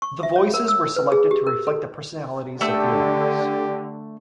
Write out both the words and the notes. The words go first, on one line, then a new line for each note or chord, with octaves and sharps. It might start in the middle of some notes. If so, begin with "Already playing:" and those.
The voices were selected to reflect the personalities of the animals.
C#6
E5
C#5
A#4
E6
B4
G#4
G4
A#4
A4
D3 A3 G4 E6 G6